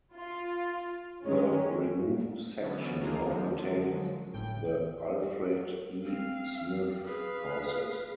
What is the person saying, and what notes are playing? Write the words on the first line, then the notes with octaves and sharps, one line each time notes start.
The removed section now contains the Alfred E. Smith Houses.
F4
D#3 G#3 C#4
D3 E3 F#3 B3 C#4
A#3 D4 D#4 F4 G#4 A#4
D3 F3 F#3 G#3
G1 A2 G5
C4 F5
G#4 B4 F5